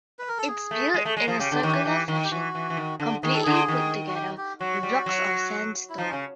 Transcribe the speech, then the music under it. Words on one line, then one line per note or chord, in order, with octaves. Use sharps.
It's built in a circular fashion, completely put together with blocks of sand stone.
B4
A#4
A4
G#4
A3
G#3
A3
G#3
F3 G#4
C#3 G4
D3
D#3
E3
E3
D#3
G4
E3 F#4
E3
E3
D#3
D3
D#3 G#4
A4
D3 G#4
D#3
F#4
G4
G4
F#3 F#4
G3
F#3
E4
F3 D#4
C#3 C#4